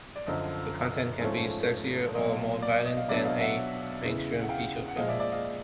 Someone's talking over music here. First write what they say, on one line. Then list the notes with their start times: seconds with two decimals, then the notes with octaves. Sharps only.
The content can be sexier or more violent than a mainstream feature film.
0.16 D5
0.27 F#2 D3 F3 D#5
1.21 G#2 F3 A3 C#4
2.14 B2 F#3 A#3 D#5
2.62 D5
2.80 D5
2.85 D#5
2.97 F5
3.08 B2 F#3 B3 D4 D5 E5
3.25 D#5 F5
3.40 E5 F#5
4.02 E2 C#3 E3
4.41 F#5
4.49 F5 G5
4.88 F#5
4.96 A#2 F3 G#3 D#5 F5
5.08 D5 E5
5.20 D5 E5
5.32 D#5 F5